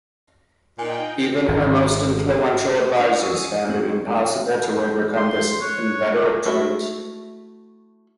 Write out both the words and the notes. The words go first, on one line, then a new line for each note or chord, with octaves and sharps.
Even her most influential advisers found it impossible to overcome this inveterate trait.
A#2 D#4 G5 G#5
G#1
D4 F5
F#5 G#5 C#6 D#6 E6
C4 F#4 G#4
G6
C6
C#5 F#6
A3 E4 F#4 E5